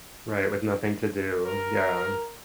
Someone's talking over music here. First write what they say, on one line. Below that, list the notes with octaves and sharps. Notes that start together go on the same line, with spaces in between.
Right, with nothing to do. Yeah.
A#4